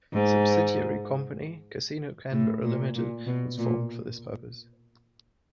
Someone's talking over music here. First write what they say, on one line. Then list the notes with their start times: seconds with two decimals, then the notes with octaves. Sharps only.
A subsidiary company, Casino Canberra Limited was formed for this purpose.
0.13 G#2
2.32 A2
2.63 A#2
2.95 A#2
3.26 B2
3.58 A#2